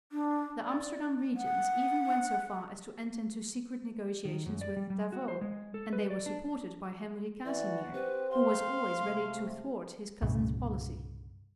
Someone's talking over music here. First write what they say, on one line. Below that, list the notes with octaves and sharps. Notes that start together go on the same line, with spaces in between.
The Amsterdam regents even went so far as to enter into secret negotiations with D'Avaux; and they were supported by Henry Casimir, who was always ready to thwart his cousin's policy.
D4
D5
F#5
D#3
F#2
D5
G3
G3
F#4
C5
G#3
A4
B4
D5
D4
E3 F#4 D5
C4 G4 B4
C5 F5 C6
C3 A3
C2 G2 A#2 C#3